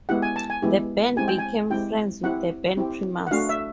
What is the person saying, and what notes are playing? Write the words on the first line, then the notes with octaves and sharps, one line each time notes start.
The band became friends with the band Primus.
G#3 B3 E4 G4 F#5
G#5
A5
G#5
G#3 B3 E4 G4
G#3 C4 E4 G4 G#5
G5
G#5
G#3 C4 E4 G4 G5
C4 E4 G4 F#5
C4 E4 G4
F#5
A3 D4 F#4 F5
E5